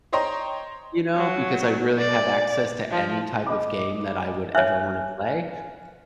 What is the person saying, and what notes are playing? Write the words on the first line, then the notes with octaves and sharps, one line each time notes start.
you know, because I really have access to any type of game that I would ever wanna play,
C5 C#5 D#5 G5 A#5 C6
F#3
D5
F3
D#5 B5 D6
C#5 E5 G#5 F6 F#6